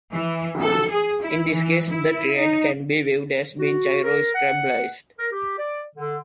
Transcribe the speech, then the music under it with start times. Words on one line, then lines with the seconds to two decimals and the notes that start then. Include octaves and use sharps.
In this case, the triad can be viewed as being gyrostabilized.
0.12 E3
0.61 A4
0.90 G#4
1.22 E4
1.50 E3
1.89 E4
2.37 D#4
3.59 F#4
4.04 A#4
4.35 F#5
5.19 A#4
5.31 G4
5.58 D5
5.96 D3